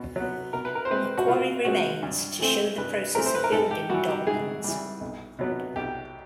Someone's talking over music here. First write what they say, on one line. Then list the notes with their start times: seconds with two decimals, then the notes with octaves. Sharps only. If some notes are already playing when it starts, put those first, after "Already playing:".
A quarry remains to show the process of building dolmens.
Already playing: B2
0.16 F#3 B3
0.53 B2 A#4
0.65 B4
0.75 A#4
0.85 C5
0.91 G#3 C4 B4
1.17 F#4
1.28 B2 F4
1.65 G#3 C4 F#4
2.03 G2
2.40 E3 A3 C4
2.78 G2 B4
3.15 E3 A3 C4 A#4
3.26 C5
3.35 B4
3.44 A#4
3.52 G#2 A4
3.71 G4
3.89 E3 G3 F#4
4.08 G4
4.27 G#2 G#4
4.64 E3 G3
5.01 B1
5.39 B2 F#3 B3
5.76 B1 G4